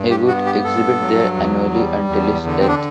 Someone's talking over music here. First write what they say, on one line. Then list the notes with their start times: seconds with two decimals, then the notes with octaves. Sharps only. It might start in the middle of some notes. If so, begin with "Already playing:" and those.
He would exhibit there annually until his death.
Already playing: G2
0.10 G4
0.27 B3 F#4
0.46 G4
0.64 G2 A4
1.01 F#3
1.36 E2
1.74 G3
2.09 E2
2.46 D3
2.60 C4
2.68 D4